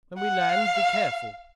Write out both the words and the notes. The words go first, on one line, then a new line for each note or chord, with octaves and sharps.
When we land, be careful.
F#5
F5